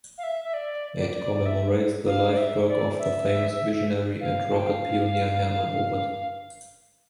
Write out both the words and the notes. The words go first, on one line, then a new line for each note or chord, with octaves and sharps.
It commemorates the life work of the famous visionary and rocket pioneer Hermann Oberth.
F5
E5
E5
D5
D5
D5
D5
E5
F5
D5
E5
D5
E5
F5
A5
G5
F5